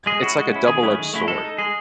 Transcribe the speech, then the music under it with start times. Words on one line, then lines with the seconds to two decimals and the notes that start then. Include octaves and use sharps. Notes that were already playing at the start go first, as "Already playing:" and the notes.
it's like a double-edged sword,
0.06 G#3 G#4
0.22 C#4 E4 F#4
0.37 G#3
0.53 C#4 E4
0.67 D#3 G#4
0.83 F#3 A3 C#4 E4
0.98 D#3
1.13 F#3 A3 C#4 E4
1.28 G#3 A4
1.44 D#4
1.58 G#3 G#4